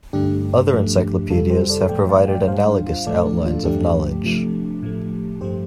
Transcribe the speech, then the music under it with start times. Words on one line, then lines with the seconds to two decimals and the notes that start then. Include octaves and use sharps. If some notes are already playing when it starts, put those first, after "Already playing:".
Other encyclopedias have provided analogous outlines of knowledge.
0.13 G2 D3 A3 D4 G4
0.72 G2 F3 A3
1.30 F2 C3 G3 F4 A4
1.50 G4 C5
1.70 A4 D5
1.89 A2 F3 A3 D5 G5
2.09 F5 A5
2.28 D5 G5
2.48 A2 G3 C5 F5
2.67 D4
2.87 F4
3.07 A2 F3 A3 A4 D5
3.26 D4
3.46 F4
3.65 G2 F3 A3 D4 G4
4.24 C3 F3 A3
4.82 A2 F3 A3
5.41 G2 F3 A3 G4 C5